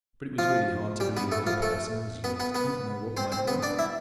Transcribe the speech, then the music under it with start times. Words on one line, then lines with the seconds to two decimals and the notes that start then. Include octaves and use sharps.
But it was really hard to believe that a person of his years did not know what money was.
0.38 F3 F4
1.00 G3 G4
1.17 B3 B4
1.32 A3 A4
1.47 F3 F4
1.62 A3 A4
2.24 B3 B4
2.40 B3 B4
2.55 B3 B4
3.17 C4 C5
3.32 C4 C5
3.48 B3 B4
3.63 D4 D5
3.79 E4 E5